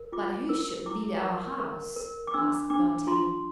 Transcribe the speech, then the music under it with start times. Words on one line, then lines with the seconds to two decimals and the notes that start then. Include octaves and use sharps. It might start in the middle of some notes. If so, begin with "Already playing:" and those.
"But who should lead our House?" asked Bonteen.
Already playing: A#4
0.12 F4 D6
0.49 A#4 E6
0.86 E4 D6
1.23 A#4
1.60 A#4
1.96 A#4
2.27 D6
2.34 D4 E6
2.70 D4 D6
3.07 F4 C6